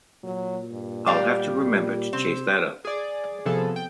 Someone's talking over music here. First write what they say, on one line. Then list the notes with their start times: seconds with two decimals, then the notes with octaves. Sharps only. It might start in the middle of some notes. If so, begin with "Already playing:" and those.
I’ll have to remember to chase that up.
0.24 A#2 F#3
0.72 G2
1.06 G3 G4 D5 F5
1.63 A#2
2.13 C3 C4
2.85 G#4 D5
3.46 C3 F3 B3 G#4 A4
3.76 G5